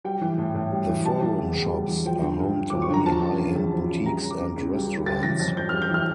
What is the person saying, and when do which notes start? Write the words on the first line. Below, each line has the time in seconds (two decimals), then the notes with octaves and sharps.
The Forum Shops are home to many high-end boutiques and restaurants.
0.04 G3 G5
0.21 E3
0.38 A2
0.55 A2
0.72 G3
0.89 E3
1.05 G3 A5
1.22 E3
1.39 E2
1.56 E2
1.73 G3
1.88 E3
2.05 F3 G5
2.22 D3
2.39 G2
2.56 G2
2.70 F3 D6
2.82 C#6
2.89 D3 A#5
3.05 F3 A5
3.23 C#3
3.39 E2
3.55 E2
3.73 F3
3.90 C#3
4.06 G3 A#5
4.22 C#3
4.31 D6
4.39 C#2
4.56 C#2
4.73 G3
4.89 C#3
5.06 G3 A6
5.23 E3 A#6
5.40 F2 A6
5.57 F2 G6
5.69 G3 F6
5.82 G6
5.90 E3 F6